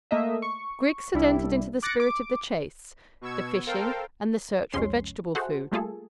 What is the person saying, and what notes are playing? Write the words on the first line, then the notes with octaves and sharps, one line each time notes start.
Griggs had entered into the spirit of the chase, the fishing and the search for vegetable food.
A3 A#3 D#5 E5
C#6
C2 G3 D4 E4
D6 F#6 A6 A#6 C#7 D7
D6
B2 C#6 E6 G#6
A4 A#4 C5 F5 G5
C2 F2 G#3 C#4 C6
F#4 G#4 A4 C5 E5 F#5
G3 A3 A#3 F4 G#4 A4